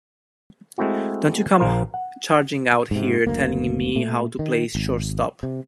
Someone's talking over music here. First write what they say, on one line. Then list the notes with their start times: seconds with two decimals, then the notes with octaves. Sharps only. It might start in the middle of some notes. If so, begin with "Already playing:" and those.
Don't you come charging out here telling me how to play shortstop.
0.78 G#3 A3 C4 E4 F#4
1.59 A#1 F4 A#4 C5
1.94 F#5
2.91 G#2 C3
3.27 F#1 D2 A#3
3.95 A#2 A3
4.39 D#3
4.75 G#1
5.43 C3